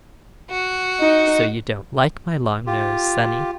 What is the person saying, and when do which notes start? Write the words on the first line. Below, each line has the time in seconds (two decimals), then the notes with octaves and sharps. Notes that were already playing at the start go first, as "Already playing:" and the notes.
'So you don't like my long nose, sonny?
0.50 F#4
1.00 D#4
2.67 F4 G4